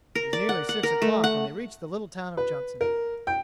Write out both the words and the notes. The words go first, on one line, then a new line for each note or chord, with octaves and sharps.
It was nearly six o'clock when they reached the little town of Judson.
A#4
D5
F#5
F#5
A#4
A3
F#5
B4
A#4
G5